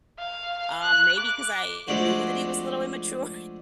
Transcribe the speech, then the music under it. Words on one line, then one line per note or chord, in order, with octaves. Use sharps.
Um, maybe 'cause I knew that he was a little immature and
F5
F#6
D6
F3 G#3 A3 D4 F#4